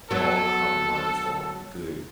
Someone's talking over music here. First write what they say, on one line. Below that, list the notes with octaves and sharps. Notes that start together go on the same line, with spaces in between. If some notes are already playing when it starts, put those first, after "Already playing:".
all compromises aren't good
F#3 B3 A4